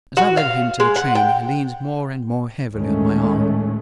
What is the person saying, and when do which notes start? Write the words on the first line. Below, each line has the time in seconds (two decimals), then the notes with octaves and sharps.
As I led him to the train he leaned more and more heavily on my arm.
0.17 F#4
0.37 F5
0.80 G#3
0.96 F#5
1.15 G5
2.74 D2 A2 D#3 G#3 A3 C#4